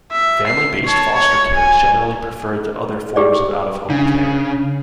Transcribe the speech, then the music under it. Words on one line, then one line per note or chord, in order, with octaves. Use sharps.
Family-based foster care is generally preferred to other forms of out of home care.
E5
C7
C#5 A5
C#5
G#5
G4 G#4 D5
C#3 D4